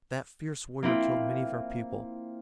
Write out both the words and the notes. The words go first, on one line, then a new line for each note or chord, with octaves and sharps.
That fierce warrior killed many of our people.
A#3 C4 E4 F4